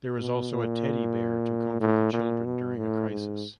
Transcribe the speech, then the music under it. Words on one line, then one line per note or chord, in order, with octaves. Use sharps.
There is also a teddy bear to comfort the children during a crisis.
B2
A#2
A2
A#2
B2
A2
G#2